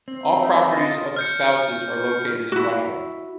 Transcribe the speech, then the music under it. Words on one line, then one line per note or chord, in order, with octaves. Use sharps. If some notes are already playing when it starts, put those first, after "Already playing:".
All properties of the spouses are located in Russia.
C4
D#4 E5
F4 D#5 A5
F6 G6 C#7
E4 F#4